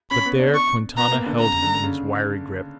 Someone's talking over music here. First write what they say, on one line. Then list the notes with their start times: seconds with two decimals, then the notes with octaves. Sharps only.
But there Quintana held him in his wiry grip.
0.11 C#4 B5
0.26 B3
0.40 D4
0.54 C#6
0.97 B3 A#5
1.12 A#3
1.26 D3
1.40 C#3 A#5
1.62 D3
1.83 C#3